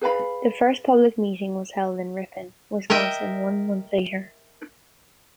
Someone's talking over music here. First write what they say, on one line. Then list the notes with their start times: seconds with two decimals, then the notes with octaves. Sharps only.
The first public meeting was held in Ripon, Wisconsin one month later.
0.01 G#4 B4 F5 B5
2.90 A#4 D#5 E5 G5